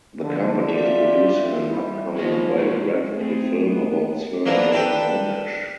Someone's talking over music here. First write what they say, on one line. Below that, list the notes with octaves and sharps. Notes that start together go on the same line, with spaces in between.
The company is producing an upcoming biographical film about Sir John Monash.
D3 F3
F4 G4 D5 E5
G3 E4
F3 F#3 C#4 D#5
C2 G#3
A3 C4 G#4
B3
E3 F3 A#3 B3 D4
D4 G4 A4 B4 G5